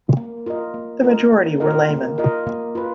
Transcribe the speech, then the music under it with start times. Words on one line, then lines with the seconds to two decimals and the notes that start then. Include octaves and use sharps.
The majority were laymen.
0.17 A#3
0.46 F4 A#4 D#5
0.74 A#3
1.03 F4 A#4 D#5
1.32 A#3
1.60 F4 A#4 D#5
1.90 A#3
2.18 F4 A#4 D#5
2.47 A#3
2.75 F4 B4